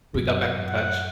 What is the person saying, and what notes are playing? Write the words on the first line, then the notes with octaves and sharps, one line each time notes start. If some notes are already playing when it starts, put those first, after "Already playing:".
we got back in touch,
F#2
F#5